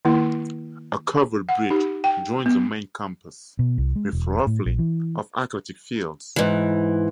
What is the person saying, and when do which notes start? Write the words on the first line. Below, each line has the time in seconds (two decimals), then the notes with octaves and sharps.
A covered bridge joins the main campus with roughly of athletic fields.
0.05 D#3 A#3 E4
1.49 F#5
1.70 D#4 G4
2.04 G5
2.46 B3
3.59 B2
3.78 C2
3.96 G#3
4.13 E1
4.47 A2
4.66 A#1
4.79 E3
6.36 G#2 E3